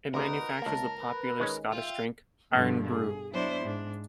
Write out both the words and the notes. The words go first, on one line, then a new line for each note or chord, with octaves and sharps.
It manufactures the popular Scottish drink, Irn-Bru.
D2 C3 D#4 F#4 A#4 B4
C#2 A#3 A5
B4
D#3 G#3 C#4
F4 E5 G5
G2 B2 D3 F3
G#4
F#3 B3 D4 E4 C5 D5
G#2 D4